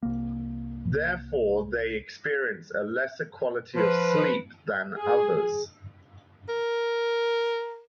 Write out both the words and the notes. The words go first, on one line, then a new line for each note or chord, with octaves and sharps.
Therefore, they experience a lesser quality of sleep than others.
C2 A#3
F3 B4
G#4
A#4